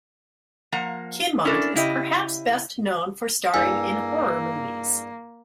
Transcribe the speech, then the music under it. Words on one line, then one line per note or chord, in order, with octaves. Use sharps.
Kinmont is perhaps best known for starring in horror movies.
F3 A#3 F#5 A#5
C#4 D4 E4 A4 A#4 D5
C#3 E4 G4 D#5
G2 A#3 E4 G#4 G#5 E6